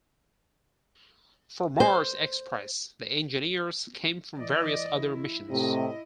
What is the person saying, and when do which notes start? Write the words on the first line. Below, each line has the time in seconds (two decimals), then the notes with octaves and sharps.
For Mars Express the engineers came from various other missions.
1.80 C5
4.37 E3 D5 D#5
5.00 E4
5.50 A2 C3 E4 D#5